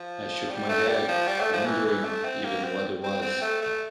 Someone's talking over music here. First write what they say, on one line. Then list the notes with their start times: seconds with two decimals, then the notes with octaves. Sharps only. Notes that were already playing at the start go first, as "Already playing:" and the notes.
I shook my head, wondering even what it was.
Already playing: F3
0.49 G3
0.69 A3
0.88 G3
1.08 F3
1.27 G3
1.40 A3
1.53 F3
1.66 E3
1.86 E3
2.05 A3
2.25 C4
2.44 A#3
2.64 C4
3.03 C4
3.22 C4
3.42 A3
3.61 A3